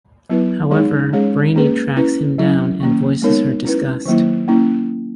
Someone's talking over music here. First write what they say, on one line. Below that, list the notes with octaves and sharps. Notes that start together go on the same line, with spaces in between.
However, Brainey tracks him down and voices her disgust.
F#3 B3 E4 B4
E3 G#3 D#4 G#4
G#3 C#4 G#4 C#5
A#3 C#4 G#4 B4
C#4 E4 B4
F#3 C#4 E4
D#3 A#3 C#4
G#3 B3 D#4 A#4 C#5
C#4 E4 B4
D#3 F#3 A#3 E4
A#3 C#4 E4